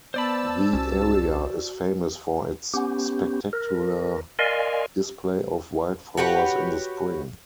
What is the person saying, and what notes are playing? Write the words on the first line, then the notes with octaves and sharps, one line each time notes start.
The area is famous for its spectacular display of wildflowers in the spring.
B3 C5 D5 A5 B5 E6
C2 C#4 F#4
B3 C#4 G4
A#4
A#4 D5 D#5 F5 G#5 C6
F#4 G4 B4 C#5